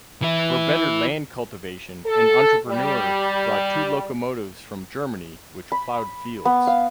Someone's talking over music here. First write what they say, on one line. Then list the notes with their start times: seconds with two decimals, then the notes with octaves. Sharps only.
For better land cultivation an entrepreneur brought two locomotives from Germany which plowed fields.
0.22 E3 E4
2.07 A4
2.68 G3
5.72 B5
6.45 B3
6.67 F5